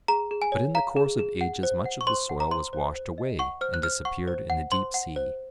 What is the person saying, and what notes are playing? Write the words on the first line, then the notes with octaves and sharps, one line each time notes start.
But in the course of ages much of the soil was washed away and disappeared in the deep sea.
G#4 A#5
G#4
G#5
C#5
F5 A#5
G#4
G#4
F#5
C5
F#5
C#6
C5 C6
F#5
A#5
C5 C6
C5
C5
D#5
F#5 C#6
C5 F6
F#6
C5 F6
F#5 C#6
C5
F#5
C5 C6
F#5
C5